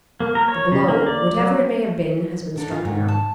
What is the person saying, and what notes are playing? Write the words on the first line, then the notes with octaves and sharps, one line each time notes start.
The blow--whatever it may have been--has been struck now.
A#3
A#4
C#5
C#3
A#3
D5
F#3
D3 D4 D#4
E3 F4
G#2 D#3
A5